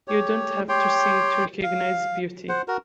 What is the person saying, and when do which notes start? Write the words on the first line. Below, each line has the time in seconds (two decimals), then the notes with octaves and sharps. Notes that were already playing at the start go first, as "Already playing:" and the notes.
You don't have to see to recognize beauty.
0.08 G4 C#5
0.69 G4 C#5 G5 C6
1.63 F5
2.49 C5 F#5
2.68 F#4 A#4